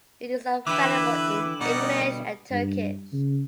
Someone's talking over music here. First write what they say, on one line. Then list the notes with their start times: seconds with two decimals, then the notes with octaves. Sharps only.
It is available in English and Turkish.
0.67 D3 E3 E4 G4 B4 E5 D6
1.61 B2 G3 D#4 D5 F#5
2.51 G2
3.13 C#3